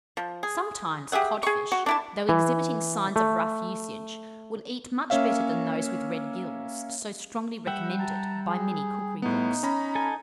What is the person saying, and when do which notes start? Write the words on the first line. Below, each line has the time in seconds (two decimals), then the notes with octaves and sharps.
Sometimes, codfish, though exhibiting signs of rough usage, will eat much better than those with red gills, so strongly recommended by many cookery-books.
0.17 F3
0.43 G#4
1.12 G4 G#4 E5 F#5
1.43 G#4 C#6
1.72 F#4
1.86 D4 E4 A5
2.29 E3
3.16 A3
5.10 A#3 C#4 C#5 E5 F5
7.67 G3 E5 F#5 G5
7.99 A5 A#5
8.47 G#4
9.22 A2 B3 D#4
9.63 C#4 A#5 B5
9.95 A4 G#5